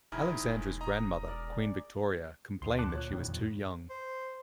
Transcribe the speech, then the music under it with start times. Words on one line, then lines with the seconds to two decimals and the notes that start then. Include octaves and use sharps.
Alexandra's grandmother, Queen Victoria, complained that she was too young.
0.12 F1 A#1 D#4 E4 G#4 F6
0.35 E1
0.81 D#5 A#5
1.26 A#4 D5
2.62 D2 C6
2.79 A5 D6 F#6
2.94 A#2 C#5 F#6
3.11 E1 D#3
3.28 F2
3.90 C5